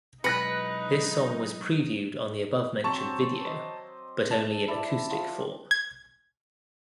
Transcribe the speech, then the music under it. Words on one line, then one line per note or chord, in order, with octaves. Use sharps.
This song was previewed on the above-mentioned video, but only in acoustic form.
B2 F#3 G#3 D#4 B4 F#6 A#6 C#7
F#3 C4 A5 A#5 C#6
C5 D#5 D6
A5
E4 A4 D5
F3
G#6